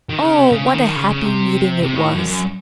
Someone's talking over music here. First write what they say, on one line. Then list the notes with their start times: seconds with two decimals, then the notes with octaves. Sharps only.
Oh, what a happy meeting it was!
0.10 D#3
0.23 C#3
0.38 C3
0.52 C#3
0.74 D#3
0.96 C#3
1.10 C#3
1.25 C3
1.82 C3
1.96 A2
2.12 F#2
2.26 F#2